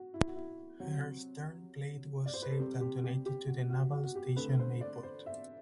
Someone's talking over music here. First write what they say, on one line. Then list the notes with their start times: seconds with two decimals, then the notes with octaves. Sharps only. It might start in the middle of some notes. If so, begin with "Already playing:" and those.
Her stern plate was saved and donated to the Naval Station Mayport.
Already playing: F#4
0.14 E4
0.27 F#4
0.36 E4
0.80 C3 F#3 C4 F#4
2.26 D5
2.34 C5
2.42 B4
2.51 A4
2.59 C3 G3 C4 G4
2.81 G4
3.04 G4
3.26 G4
3.47 F#4
3.69 F#4
3.92 F#4
4.04 F#4
4.15 G4
4.36 D3 A3 C4 B4
4.59 C5
4.81 D5
5.03 C5
5.26 E5